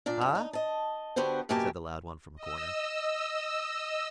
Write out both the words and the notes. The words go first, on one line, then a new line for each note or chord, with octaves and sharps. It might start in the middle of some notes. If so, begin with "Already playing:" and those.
"Huh!" said the loud one from a corner.
A#2 D4 D5
F#2
D#4
D#5 A5
D3 B3 F#4 G4 C5
F#2 B2 A#3 G4 G#5 A5
D#5 E6